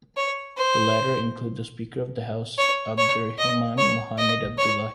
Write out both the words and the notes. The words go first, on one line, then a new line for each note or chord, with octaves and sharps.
The latter include the Speaker of the House, Abdirahman Mohamed Abdullahi.
C#5
C5
C#5
C#5
D#5
C#5
D#5
C#5